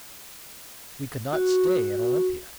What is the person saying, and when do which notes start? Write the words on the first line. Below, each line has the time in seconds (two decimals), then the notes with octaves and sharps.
We could not stay at Olympia.
1.33 F#4